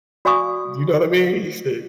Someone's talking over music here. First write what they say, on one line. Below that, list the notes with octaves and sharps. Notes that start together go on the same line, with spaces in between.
you know what I mean, he said
F#4 D5 F5 G#5 C#6 D#6